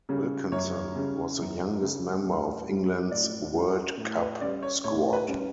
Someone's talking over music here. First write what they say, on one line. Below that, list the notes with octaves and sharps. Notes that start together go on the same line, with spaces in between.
Wilkinson was the youngest member of England's World Cup squad.
C#3 G3 C#4
F#2 C#5
C#3 G3 C#4
F#2
C#3 G3 C#4
A2
G3 C#4
A2 D5
G3 C#4
A2
B4
G3 C#4 D5
C#5
A2 C#5
B4
G3 C#4